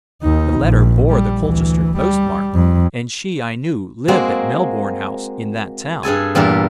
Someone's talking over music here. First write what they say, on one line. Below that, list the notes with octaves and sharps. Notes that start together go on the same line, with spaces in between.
The letter bore the Colchester post-mark, and she, I knew, lived at Melbourne House in that town.
D#2 D#4
A#1
G3
D2 E3
G3
F2
G#3 A#3 C4 F#4 G#4
G2 G#4 A4 G#5
E2 G2 A#2 A#4 E5